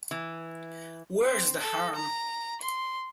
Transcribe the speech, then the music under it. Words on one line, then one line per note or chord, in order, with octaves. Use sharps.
Where's the harm?
E3
C4
A4
A#5
C6